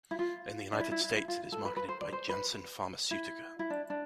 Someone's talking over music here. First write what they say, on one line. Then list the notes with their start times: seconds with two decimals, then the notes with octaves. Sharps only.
In the United States, it is marketed by Janssen Pharmaceutica.
0.11 E4
0.19 F4
0.73 D4
0.80 E4
0.91 E4
1.04 E4
1.16 E4
1.28 F4
1.52 A4
1.65 B4
1.76 B4
1.88 C5
2.01 D5
2.12 C5
2.29 B4
3.11 E4
3.59 E4
3.70 D4
3.90 D4